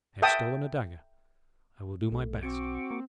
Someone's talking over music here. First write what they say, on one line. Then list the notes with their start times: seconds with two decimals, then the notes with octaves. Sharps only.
I have stolen a dagger--I will do my best!
0.22 E5 F#5 G5 A5 D#6
2.12 B1 A3
2.43 C4 F#4 C#6 D6
2.91 A#3